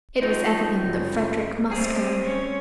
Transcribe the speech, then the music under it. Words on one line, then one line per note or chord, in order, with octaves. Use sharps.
It was evident that Frederick must go.
F3 D#4
F#2 C#3
G3 A3 C4 G#4
C#4 C#5